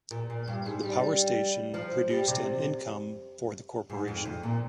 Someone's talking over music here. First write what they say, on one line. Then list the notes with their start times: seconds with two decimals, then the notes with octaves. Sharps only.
The power station produced an income for the corporation.
0.11 A#2
0.30 A#2
0.47 G2
0.66 G#2
0.83 G3
1.74 F3
2.10 G3
2.28 C3
3.90 G#2
4.08 F2
4.25 F2
4.43 A#2